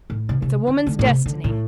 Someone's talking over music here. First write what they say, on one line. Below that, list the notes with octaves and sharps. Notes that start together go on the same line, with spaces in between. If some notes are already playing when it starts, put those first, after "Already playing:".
It's a woman's destiny.
A2
C3
C3
D3
D3
A2
C3
D3
A2